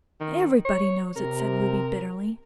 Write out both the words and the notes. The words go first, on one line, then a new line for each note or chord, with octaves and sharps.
"Everybody knows it," said Ruby bitterly.
D#3
C#5
C3 A#4